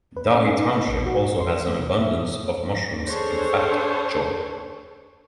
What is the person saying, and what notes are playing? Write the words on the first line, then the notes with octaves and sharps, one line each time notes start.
Dahe Township also has an abundance of mushrooms and fat choy.
B4
C#4
D#4
D#5
A#1
F#4
C6
A3
B2
E5
D#6
D4 G#4 A4 C5 C#5